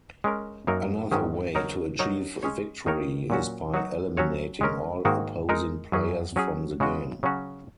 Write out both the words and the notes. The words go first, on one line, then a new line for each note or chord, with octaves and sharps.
Another way to achieve victory is by eliminating all opposing players from the game.
G#3 C#4 A#4
F#2 F#3 A#3 D#4 A#4
G#2 D#3 F#3 C#4
F#3 D#4 A#4 C#5
F#3 D#4 A#4 C#5
G#3 C#4 G#4 C#5
D#3 A#3 D#4 A#4 C#5
A#2 F#3 C#4 F#4
F#3 D#4 F#4
F#3 C#4 F#4 C#5
G#3 C#4 A#4
G#2 D#3 A#3 F#4
G#3 D#4 A#4
F#2 F#3 C#4 G#4
F#3 C#4 G#4
C#3 G#3 F#4
C#3 F#3 C#4 F#4